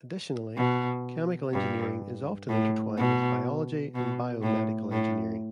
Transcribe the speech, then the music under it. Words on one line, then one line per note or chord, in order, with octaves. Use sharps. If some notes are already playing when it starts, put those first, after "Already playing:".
Additionally, chemical engineering is often intertwined with biology and biomedical engineering.
B2
G2
A2
B2
B2
A2
A2